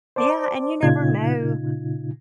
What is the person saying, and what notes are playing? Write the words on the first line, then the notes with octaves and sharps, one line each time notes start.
Yeah, and you never know
C5 D5 A5 D6
A#2 C#3 D#4 F4 G#6